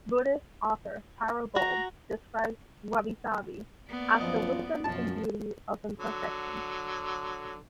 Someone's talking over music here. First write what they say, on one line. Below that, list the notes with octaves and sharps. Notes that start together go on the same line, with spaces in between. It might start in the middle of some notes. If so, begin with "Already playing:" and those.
Buddhist author Taro Gold describes wabi-sabi as "the wisdom and beauty of imperfection".
F#4 A#5
A#3 B3 D5
F#2 F3 D#5
F#2 B2 F3 A5
D3 F#3